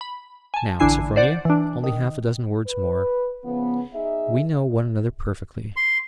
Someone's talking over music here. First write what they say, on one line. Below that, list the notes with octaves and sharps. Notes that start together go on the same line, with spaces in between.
Now, Sophronia, only half a dozen words more. We know one another perfectly.
B5
G#5 A5
A1 D3 D4 E4 G#5 C7
C5 D5 F#5
E3 D4
D#3
B4
C#3 F3 B3
D#4 G#4 E5
C6